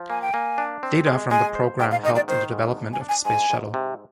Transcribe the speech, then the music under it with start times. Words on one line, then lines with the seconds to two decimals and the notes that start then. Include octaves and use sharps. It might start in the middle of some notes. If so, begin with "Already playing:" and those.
Data from the program helped in the development of the Space Shuttle.
Already playing: F3
0.10 A#3 G#5
0.22 G5
0.33 A#3 G#5
0.58 D4
0.83 C4
1.07 G#3
1.31 G#3 G#5
1.55 C5
1.80 G#2 G5
1.91 F5
2.04 D#3 D#5
2.15 D5
2.28 D#3 C5
2.52 G#2
2.77 D4
2.93 G#5
3.01 D4
3.09 G#5
3.25 G#2 G#5
3.50 G#2
3.74 C3